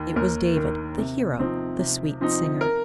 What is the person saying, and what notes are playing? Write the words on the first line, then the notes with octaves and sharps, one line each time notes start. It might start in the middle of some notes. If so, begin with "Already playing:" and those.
It was David, the hero, the Sweet Singer.
Already playing: D#2 D#3 A#3
D#2 A#4
D#3 A#3
C3
F3 C4 D#4
C3
F3 C4 D#4
A#4